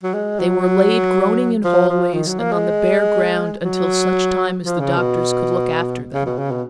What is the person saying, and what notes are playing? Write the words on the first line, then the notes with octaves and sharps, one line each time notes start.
They were laid groaning in hallways and on the bare ground until such time as the doctors could look after them.
F#3
G#3
F#3
F3
F3
D#3
F#3
A#3
G#3
F#3
F3
C#3
B2
C#3
B2
C#3
B2